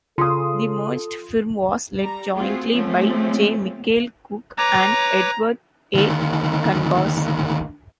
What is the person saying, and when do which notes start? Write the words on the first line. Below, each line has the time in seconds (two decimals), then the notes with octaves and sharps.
The merged firm was led jointly by J. Michael Cook and Edward A. Kangas.
0.18 C#3 F4 A4 C6 D#6
1.99 G3 A#5
2.35 A3 C4 F4 F#4 G#4
2.70 F3 G#3 A3 C4 C#4
4.58 B4 C#5 A#5 D6
5.95 D2 D#3